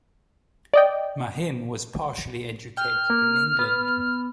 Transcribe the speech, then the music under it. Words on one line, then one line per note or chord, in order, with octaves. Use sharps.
Mahin was partially educated in England.
D5 D#5 G5
G5 F6
A#3
B3